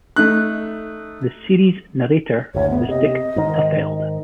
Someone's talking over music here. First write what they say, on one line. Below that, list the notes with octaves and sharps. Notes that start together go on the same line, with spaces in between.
The series' narrator was Dick Tufeld.
A3 D#4 F#6
F#1 D2 C#5
B3
C3 D#5
G#2 D#3